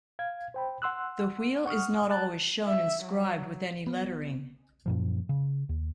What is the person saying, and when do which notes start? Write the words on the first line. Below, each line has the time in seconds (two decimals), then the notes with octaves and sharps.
The wheel is not always shown inscribed with any lettering.
0.19 F5 G#6
0.54 C5 G5 B5
0.82 F#5 C6 E6 F#6
1.66 F#5 C#6 D#6 F6
2.10 A5 F#6 A6
2.67 E5
3.04 F#3
3.87 B3
4.86 F#2 A#2 F3
5.29 C#3
5.69 D#2